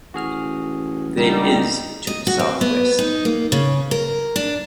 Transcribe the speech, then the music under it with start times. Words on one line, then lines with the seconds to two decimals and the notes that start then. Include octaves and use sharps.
There is to the South-West.
0.14 A1 F#4 G#4 F6
1.18 C#2 D3 G3 D#4
2.07 D#5
2.27 F#4
2.39 C4
2.61 B3
2.99 D#4
3.25 A#3
3.52 C#3
3.91 A#4
4.36 D4